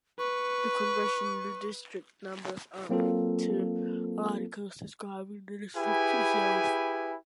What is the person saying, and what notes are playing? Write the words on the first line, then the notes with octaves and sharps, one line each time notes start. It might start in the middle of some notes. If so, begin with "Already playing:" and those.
The congressional district numbers are linked to articles describing the district itself.
B4 C#6
F#3 A#3 C4 F4 A4
E4 G4 G#4 B4 G#5